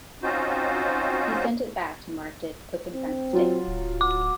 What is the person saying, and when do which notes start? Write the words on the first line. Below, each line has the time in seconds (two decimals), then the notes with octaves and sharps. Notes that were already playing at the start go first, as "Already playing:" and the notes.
He sent it back and marked it 'Opened by mistake.
0.23 C4 C#4 D#4 F4 F#4 C5
2.94 C4
3.33 F#3 F4
3.67 D1
4.01 F#4 D6